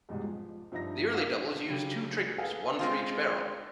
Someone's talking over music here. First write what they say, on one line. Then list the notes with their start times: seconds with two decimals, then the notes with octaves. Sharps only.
The early doubles used two triggers, one for each barrel.
0.09 E2 G#2 B2 G3 G#3
0.23 F3
0.72 G2 F3 D#4 E5 A#5 A#6
1.14 F5 D6 E6
1.68 C#3 F#3 G4 B5
2.38 G#4 A4 B4 F5 G#5
2.79 G#3 C4 F4